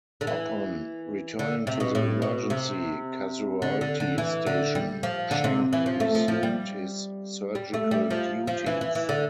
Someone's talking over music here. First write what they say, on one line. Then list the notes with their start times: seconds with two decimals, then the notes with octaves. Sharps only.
Upon returning to the emergency casualty station, Schenck resumed his surgical duties.
0.21 D3
0.27 E3
1.39 D3
1.67 C3
1.80 B2
1.95 A2
2.22 B2
2.50 C3
3.62 D3
3.81 D3
4.00 D3
4.18 E3
4.46 D3
4.75 G3
5.03 F3
5.31 D3
5.44 C3
5.73 E3
5.86 F3
6.00 A3
6.15 F3
6.28 F3
6.43 G3
7.55 G3
7.74 A3
7.91 G3
8.11 F3
8.47 F3
8.66 E3
8.81 E3
8.95 E3
9.09 D3